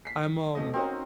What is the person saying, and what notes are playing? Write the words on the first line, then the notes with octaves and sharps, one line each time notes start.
I'm, um
B6 C7
E1 A3 D#5
C4 C#4 D#4 F#4 A#4